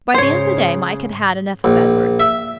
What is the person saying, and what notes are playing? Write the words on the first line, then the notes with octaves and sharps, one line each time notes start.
By the end of the day Mike had had enough of Edward.
G#2 C#3 C5 C#5
A#1
E5